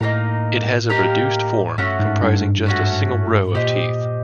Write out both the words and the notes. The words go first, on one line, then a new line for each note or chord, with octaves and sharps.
It has a reduced form, comprising just a single row of teeth.
A2 A#3 D#4 G4 A#4
A#3 D#4 G4 A#4
G2 A3 C#4 F#4
G#2
G2
A3 C#4 F#4
A#2 G4 C5 D#5